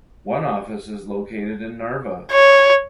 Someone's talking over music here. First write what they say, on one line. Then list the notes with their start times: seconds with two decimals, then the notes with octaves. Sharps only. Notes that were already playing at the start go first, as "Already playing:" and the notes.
One office is located in Narva.
2.32 C#5